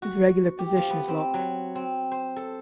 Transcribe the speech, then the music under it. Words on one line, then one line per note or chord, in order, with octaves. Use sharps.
His regular position is lock.
F#4
G4
F3
B3
C4
F#3
C4
C5
A4